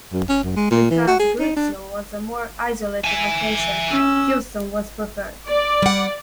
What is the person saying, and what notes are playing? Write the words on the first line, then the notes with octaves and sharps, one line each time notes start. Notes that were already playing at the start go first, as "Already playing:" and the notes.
Because Greetsiel was a more isolated location, Pewsum was preferred.
F#2
C#4
F#2
G#3
A#2
E3
F#4
G#4
D#4
D4
E5 G#5
C#4 E6
D5
G3 F#5